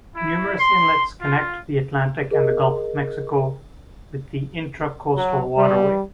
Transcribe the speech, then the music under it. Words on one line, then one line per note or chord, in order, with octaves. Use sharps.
Numerous inlets connect the Atlantic and the Gulf of Mexico with the Intracoastal Waterway.
E4
C6
F4
G#4 A#4 D#5
F#3
G3